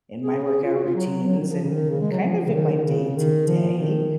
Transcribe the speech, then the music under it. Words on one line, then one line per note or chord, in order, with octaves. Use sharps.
in my workout routines and kind of in my day-to-day,
G#4
G#4
F4
F#4
F4
F#3
F#3
D#3
F3
C#3
D#3
C#3
G#3
F#3
F3
C#3
D#3
C#3
D#3
F3
D#3